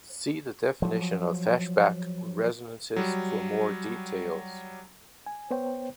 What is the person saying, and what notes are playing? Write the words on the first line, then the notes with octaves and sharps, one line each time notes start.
See the definition of Feshbach resonances for more details.
F3 F#3
F#3 G3
G#5
B3 C5 C#5 G5